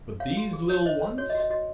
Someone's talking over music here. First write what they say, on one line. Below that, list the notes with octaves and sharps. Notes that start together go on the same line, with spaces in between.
But these little ones!
C#5 F5
F#4
G#4
D#4 C#5
C5 D#5
C5
F#4 C#5
D#5
F#4
D#5
F#4 D#5